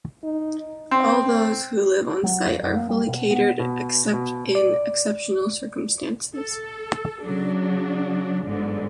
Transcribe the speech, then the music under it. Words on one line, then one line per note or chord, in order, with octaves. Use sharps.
All those who live on site are fully catered, except in exceptional circumstances.
D#4
C4
F#3
F2
F#2
A#3
G3
B2
B3
B2
B2
D5
A4
C#3 F#3 D4
G1 G#2 D3